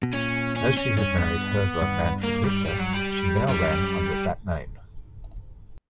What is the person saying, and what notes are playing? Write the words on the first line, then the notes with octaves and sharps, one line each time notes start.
As she had married hurdler Manfred Richter, she now ran under that name.
B2
A#2 C#4
C#4
C#4
G2 C#4
B3
G2
A#3
G3
G3
F#3
G3
F#2 G3